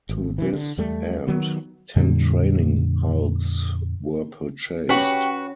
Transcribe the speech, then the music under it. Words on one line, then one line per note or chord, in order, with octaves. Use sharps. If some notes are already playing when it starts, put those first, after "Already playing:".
To this end ten training hulks were purchased.
G#1
C3 E3
D3
E2 G3 A3
D#3 F#3 B3
F2 A#2 D3 G3
C#4 F#4 G4 B4